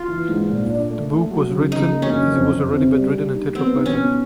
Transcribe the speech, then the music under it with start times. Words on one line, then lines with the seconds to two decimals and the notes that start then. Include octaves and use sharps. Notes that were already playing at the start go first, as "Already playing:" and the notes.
The book was written as he was already bedridden and tetraplegic.
Already playing: F4
0.08 E3
0.29 G#2
0.49 A#2
0.70 D4
0.90 A3
1.10 A3
1.31 F#3
1.51 C#3
1.71 C#3 D#4
1.92 A#3
2.02 C#4
2.12 F#2
2.32 F2
2.53 F2
2.73 C3
2.94 G3
3.14 G3
3.34 D#4
3.55 B3 C4
3.76 D#4
3.86 C#4
3.96 B2